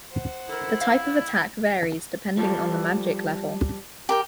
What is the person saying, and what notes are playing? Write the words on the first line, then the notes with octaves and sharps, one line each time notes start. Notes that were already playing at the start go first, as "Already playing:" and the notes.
The type of attack varies depending on the magic level.
C5 F#5
E4 A4 A#4
F5
F3 G3 A4
G4 A#4 G5